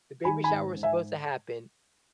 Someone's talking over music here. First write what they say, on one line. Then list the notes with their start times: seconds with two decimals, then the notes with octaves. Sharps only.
the baby shower was supposed to happen,
0.24 D#3 G#5 B5
0.44 G#5 B5
0.50 G#2
0.76 G#2
0.83 E5 G#5